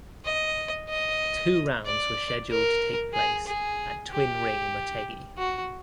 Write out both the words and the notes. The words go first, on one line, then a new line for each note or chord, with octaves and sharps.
Two rounds were scheduled to take place at Twin Ring Motegi.
D#5
D#5
D5
A#4
G#4
G#4
G4
F#4